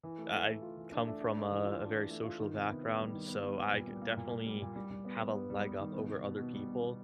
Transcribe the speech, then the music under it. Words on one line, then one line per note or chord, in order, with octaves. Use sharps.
I I come from a a very social background," so I c definitely have a leg up over other people,
E3
A3
A3
A3
F4
E3
D4
A3
D4
A3
E3
F4
D4
E3
A3
F4
D#3
C3
B3
B3
G3
D#3
B3
B3
G3
A#2
G3
A#3
A#2
A#2
G3
A#2
G3
G3
B3
B3
B3
G3
B3
D#3
B2
B2
B2
B2
G3
B2
B2